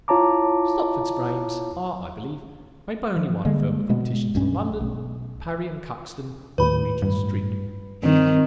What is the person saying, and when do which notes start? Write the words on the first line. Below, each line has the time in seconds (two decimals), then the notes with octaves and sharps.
Stopford's frames are, I believe, made by only one firm of opticians in London, Parry & Cuxton of Regent Street.
0.08 E4 F4 C#5 A5 A#5 D6
3.17 F3
3.45 D3 G3 G#3 A#3
3.89 B2 G#3 B3
4.35 B1 G2 C#4
4.81 B1
6.58 D#2 A2 B4 B5
7.02 G2
8.03 G2 D#3 C4